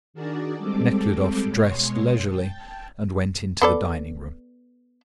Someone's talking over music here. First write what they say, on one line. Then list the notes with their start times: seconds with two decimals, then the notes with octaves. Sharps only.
Nekhludoff dressed leisurely, and went into the dining-room.
0.14 D#3 D4 F#4 G#4 A#4 D5
0.58 G3 G#3 C4 A4 D6
1.48 B2 G#3 C#5 C6
2.25 G5 A5
3.62 B3 A4 D5